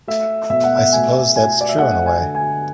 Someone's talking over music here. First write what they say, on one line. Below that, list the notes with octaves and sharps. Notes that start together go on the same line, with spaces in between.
I suppose that's true in a way.
A3 E5
B2 E5
F#5
E5
A3 G#5
A3 G#5
D5
E5
A3 F#5
G#5
D3
G#5